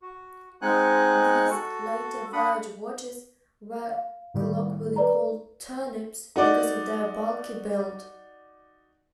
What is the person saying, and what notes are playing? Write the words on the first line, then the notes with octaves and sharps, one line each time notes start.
These later verge watches were colloquially called 'turnips' because of their bulky build.
F#4
G#3 C4 D#4 F#5 G#5 F#6
F#4 A4
D4 F#5 B5 D#6
F5
A2 D#3 G3
B4 D5 A#5
D#4 F#4 D5